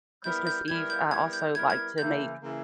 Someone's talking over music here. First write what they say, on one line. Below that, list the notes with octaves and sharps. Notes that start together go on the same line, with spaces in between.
Christmas Eve, I also like to make,
G3 B3 E4 A#4 G6
G6
G3 B3 E4 A#4 G#6
G6
G3 B3 E4 A#4 G#6
G6
G3 B3 E4 A#4 G#6
G#6
C#3 E3 A#3 E4 G6
C#3 E3 A#3 E4